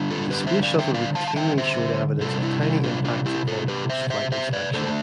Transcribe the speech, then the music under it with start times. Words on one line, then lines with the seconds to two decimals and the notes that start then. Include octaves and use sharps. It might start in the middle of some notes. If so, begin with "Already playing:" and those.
The Space Shuttle routinely showed evidence of "tiny" impacts upon post-flight inspection.
Already playing: D3 G3 D4
0.10 F4 A4
0.31 G4 B4
0.47 C5 E5
0.63 D5 F5
0.79 E5 G5
0.94 D5 F5
1.15 F5 A5
1.28 A5
1.36 E5 G5
1.58 C5 E5
2.21 C3 G3 D4 F4 A4
2.42 E4
2.63 E4
2.84 D4 F4
3.05 D4 F4
3.26 E4 G4
3.47 F4 A4
3.68 G4 B4
3.90 C5 E5
4.10 C5 E5
4.32 C5 E5
4.53 B4 D5
4.74 D3 A3 D4 A4 C5